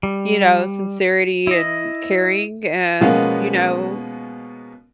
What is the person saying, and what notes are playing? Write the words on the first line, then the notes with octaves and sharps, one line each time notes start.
you know, sincerity, and caring and, you know,
G3
E4 D#5
B2 F3 G#3 A#3 B3 C#4